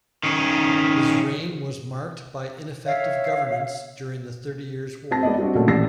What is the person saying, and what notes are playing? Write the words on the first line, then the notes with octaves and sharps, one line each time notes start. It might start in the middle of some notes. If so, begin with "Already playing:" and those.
His reign was marked by ineffective governance during the Thirty Years' War.
D#3 C#4
C#5 E5 F5
C4 A5 A#6
G#3 B3 D5 D#5
G3 C4 D4 F#4
A#2 C#3 F#3 G3 A3 A#3
A1 G4 D5 E6 A#6 C7